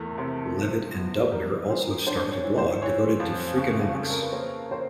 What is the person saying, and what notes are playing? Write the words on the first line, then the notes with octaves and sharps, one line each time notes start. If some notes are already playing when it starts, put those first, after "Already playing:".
Levitt and Dubner also started a blog devoted to Freakonomics.
Already playing: E2 A3 A4 A#4
C3
F3
B3
G3 A#4
E3 C5
D4 C5
C#5
E3
C5
E3 C#5
F2
C#3
C#3 A4
A#4
B4
A#3 C5
C5